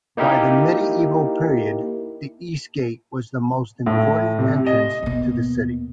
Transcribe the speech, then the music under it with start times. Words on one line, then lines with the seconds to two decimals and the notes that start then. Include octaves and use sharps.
By the medieval period the Eastgate was the most important entrance to the city.
0.17 A#3 D#4 E4 G4 A#4
3.86 A2
4.39 C3
4.67 D#5
5.03 D#2 B2